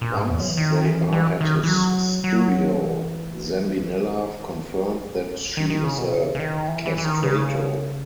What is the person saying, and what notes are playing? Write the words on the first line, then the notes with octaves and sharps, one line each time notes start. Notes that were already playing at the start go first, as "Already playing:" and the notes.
Once they are at his studio, Zambinella confirms that she is a castrato.
A#2
G#2
E2
F#3
E3
D#3
E3
E3
D#3
E3
F#3
F#3
E3
D#3
F#3
E3
F#3
C#3
D#3
D#3
C#3
B2
C#3
C#3
D#3
E3
E3
E3
D#3
C#3